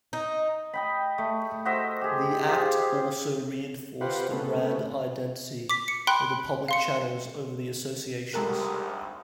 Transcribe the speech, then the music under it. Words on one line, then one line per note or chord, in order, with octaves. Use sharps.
The Act also reinforced the brand identity of the public channels over the associations.
D#4
D#5 G5 B5
A3
F#4 C5 D#5 E5
G4 G#4
F4 G4 G#4
F4 G4 B4 C5 F#5
C#3 A3 B3
D6 B6
C#7
G5 B5 C6 F#6 D7
F5 C6 C#7
G#1 D2 G3 G#3 A4 A#4 A#5 F#6